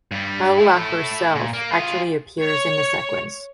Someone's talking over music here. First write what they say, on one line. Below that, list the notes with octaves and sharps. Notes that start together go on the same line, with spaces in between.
Paula herself actually appears in the sequence.
G2 G3
A3 E4
A#2
A#3
F4 G#4
C#5